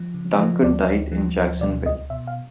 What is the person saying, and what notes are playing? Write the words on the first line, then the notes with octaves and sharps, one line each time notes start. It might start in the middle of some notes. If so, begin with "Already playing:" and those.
Duncan died in Jacksonville.
Already playing: F3
C#3
F3
D2 D5
D2
F3
D2
B2 D5
C#2 D#5
B2 E5
F5